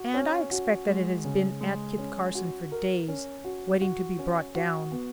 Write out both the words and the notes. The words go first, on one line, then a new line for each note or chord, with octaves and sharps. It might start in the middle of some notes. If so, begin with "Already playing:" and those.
And I expect that it has been at Kit Carson for days, waiting to be brought down.
Already playing: F#4
C#4
F#4
G#3
C#3
G#3
C#4
F#4
A#4
C#4
F#4
F#4
C#4
F#4
B3